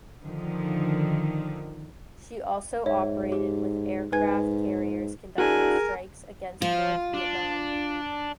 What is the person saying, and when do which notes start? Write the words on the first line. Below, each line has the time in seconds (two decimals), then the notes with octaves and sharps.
She also operated with aircraft carriers conducting strikes against North Vietnam.
0.24 D3 D#3 F3
2.86 G#2 C#5 E5
3.32 G4
4.12 G#2 B4 G#5 G#6
5.38 D4 E4 F#4 G#4 A#4 G#5
6.62 F3 F4
7.14 D4